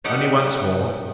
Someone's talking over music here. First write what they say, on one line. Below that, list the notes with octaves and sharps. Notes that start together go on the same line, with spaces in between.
"Only once more."
D#4 G4 A4 D5 F#5